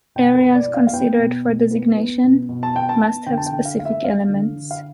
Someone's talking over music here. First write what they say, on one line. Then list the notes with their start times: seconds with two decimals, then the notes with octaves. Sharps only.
Areas considered for designation must have specific elements.
0.15 B2 G5
0.35 B4
0.42 B2
0.55 D5
0.68 B3
0.74 F5
0.87 F5
0.93 B3 G5
1.19 B2
1.45 B2
1.71 B3
1.97 B3
2.24 B2
2.49 B2
2.63 A5
2.75 B3 G5
2.89 A5
3.01 B3
3.26 D3 G5
3.37 A5
3.46 G5
3.52 D3
3.65 F5
3.78 A3 F5
3.85 E5
4.04 A3 F5
4.30 D3
4.56 D3
4.71 F5